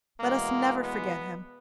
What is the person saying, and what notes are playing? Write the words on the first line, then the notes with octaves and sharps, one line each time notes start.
Let us never forget him.
E2 B2 G#3 A#3
B3